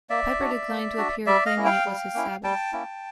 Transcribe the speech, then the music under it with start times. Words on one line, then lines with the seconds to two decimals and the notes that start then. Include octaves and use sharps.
Piper declined to appear, claiming it was his Sabbath.
0.10 A#3 D5 E5
0.40 D4 F#4
0.69 A#3
0.98 D4 F#4
1.26 G3 D5 E5
1.46 D#5 F5
1.56 A#3 C#4 E4
1.65 F5 G5
1.86 G3
2.14 A#3 C#4 E4
2.44 G3 G5 A5
2.73 A#3 C#4 E4